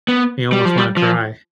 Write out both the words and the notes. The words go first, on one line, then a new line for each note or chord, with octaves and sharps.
me almost wanna cry.
B3
G3
F3
G3
F3